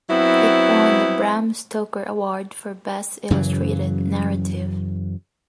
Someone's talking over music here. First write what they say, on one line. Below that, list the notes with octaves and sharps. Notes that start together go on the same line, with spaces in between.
It won the Bram Stoker Award for Best Illustrated Narrative.
F#3 B3 C4 E4
F#2 C#3 E3 F#3